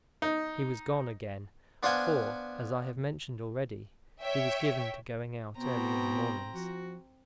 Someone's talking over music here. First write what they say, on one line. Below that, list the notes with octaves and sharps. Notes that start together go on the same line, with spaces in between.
He was gone again, for, as I have mentioned already, he was given to going out early in the mornings.
D#4
B3 D4 C5 F5 F#5 G#5
C#5 E5 G5
B2 B3 C4 A#5
F3 F#4